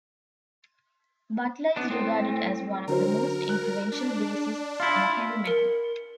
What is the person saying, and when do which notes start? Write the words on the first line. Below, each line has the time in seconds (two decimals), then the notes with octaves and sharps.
Butler is regarded as one of the most influential bassists in heavy metal.
1.76 B3 D4
1.90 A2 C4
2.87 D3 F#3 A#4 C5
3.49 F#6
3.92 D4
4.80 E4 F4 F5
5.46 A#4 C#7